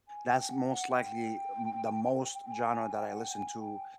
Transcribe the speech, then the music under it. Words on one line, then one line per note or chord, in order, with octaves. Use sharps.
that's most likely m the most genre that I listen to,
G#5
G5
F#5
F#5
G5
G5
G#5
G#5
G5
G5
F#5
G5
G#5
G#5
G5